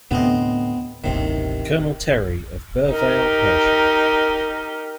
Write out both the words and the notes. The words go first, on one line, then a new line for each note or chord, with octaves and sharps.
Colonel Terry of Burvale, Hersham.
D2 A2 C3 B3 C4 D#5
D#1 A1 D#2 C3 D#3
D#4 G4 A#4